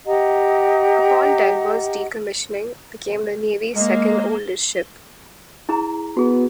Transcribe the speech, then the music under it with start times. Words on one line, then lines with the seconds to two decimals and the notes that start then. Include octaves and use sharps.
Upon "Denver's" decommissioning, became the Navy's second oldest ship.
0.06 G4 D#5 F#5 A#5
3.76 G#3 A#3
5.69 E4 G#4 A#5
6.17 B3 F#4 G#4